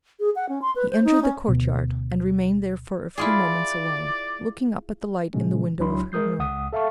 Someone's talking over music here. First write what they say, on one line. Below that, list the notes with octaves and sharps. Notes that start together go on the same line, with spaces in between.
He entered the courtyard and remained there for a few moments alone, looking up at the light in the window of her room.
G#4
F#5
C#4
C6
B4
C5
D#4
C#4
D2 B2
E4 F4 G#4 D5
A#2 C#3 F#3 G#3 C#4
C#2 F#3 D4 E4 B5 C6
G#3 A#4 D#6 G6 C7
C#2 F#5 D#6
A4 E5 F5 A5 C#6